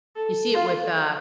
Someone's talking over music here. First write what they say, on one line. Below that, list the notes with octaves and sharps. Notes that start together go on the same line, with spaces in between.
You see it with uh,
A4
F4